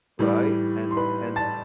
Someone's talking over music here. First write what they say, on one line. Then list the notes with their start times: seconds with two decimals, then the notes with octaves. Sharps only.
right? And and
0.19 A2 E3 G3
0.91 C6
0.97 B4 B5
1.36 A5 A6